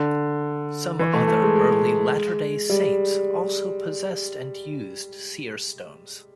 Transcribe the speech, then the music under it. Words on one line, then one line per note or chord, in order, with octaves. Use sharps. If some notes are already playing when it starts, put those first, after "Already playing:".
Some other early Latter Day Saints also possessed and used seer stones.
Already playing: D3
E3
A3
A3
G#3
G#3
G3